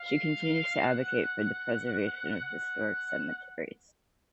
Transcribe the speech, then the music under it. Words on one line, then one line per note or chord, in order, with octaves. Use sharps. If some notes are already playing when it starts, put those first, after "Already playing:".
She continues to advocate for the preservation of historic cemeteries.
Already playing: F5
F#5
F#5